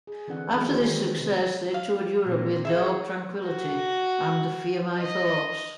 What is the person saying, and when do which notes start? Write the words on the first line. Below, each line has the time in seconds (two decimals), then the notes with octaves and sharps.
After this success they toured Europe with Dark Tranquillity and Fear My Thoughts.
0.07 G#4
0.28 D3 E3 C4 D4 A4 F#5
0.54 E3 F#3 G#4 D5
0.69 D#3 D4 E4 F#4 G#4 C5
0.83 D#3 G#3 B3 G4
1.16 C3 B3 D#4
1.74 F5
2.23 A#2 C4
2.65 A#3 E4 G#4 C#5 E5
3.47 F#4
4.99 D#5